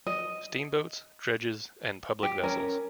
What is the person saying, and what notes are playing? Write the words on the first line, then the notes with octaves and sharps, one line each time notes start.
Steamboats, Dredges and Public Vessels.
D#5
G4
C#4 A#4